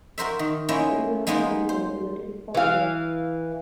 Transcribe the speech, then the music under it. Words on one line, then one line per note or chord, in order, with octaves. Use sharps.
It is not a public holiday, but it is popular.
F#4 A#4 C5 E5
D#3
A#3 C#4 E4 C5 D#5
G#3 A#3 B3 D#4 C5
C5
E3 F5